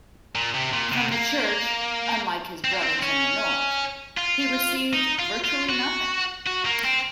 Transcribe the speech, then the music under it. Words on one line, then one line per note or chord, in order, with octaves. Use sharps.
From the Church, unlike his brothers in the north, he received virtually nothing.
A#2
C3
A#2
C3
A#3
C4
A#3
C4
C#4
F4
D#4
F4
F4
F#4
F#4
A#3
C4